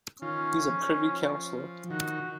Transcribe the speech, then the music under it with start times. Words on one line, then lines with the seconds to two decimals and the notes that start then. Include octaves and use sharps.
He is a Privy Counsellor.
0.22 D#3 C#4 F4
0.68 F3
1.90 D#3 F#4